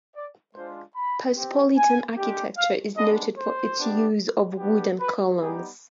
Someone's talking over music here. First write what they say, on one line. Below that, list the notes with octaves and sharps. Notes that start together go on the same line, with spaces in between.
Persepolitan architecture is noted for its use of wooden columns.
D5
G#3 D4 F4 C5
B5
C4 G4
G#5
G#3 D4 G4
F5
G#3 B3 D4 D#5
C5
B3 D4 G4
B3 D4 G4
B4
G3 B3 D#4 G4 G#4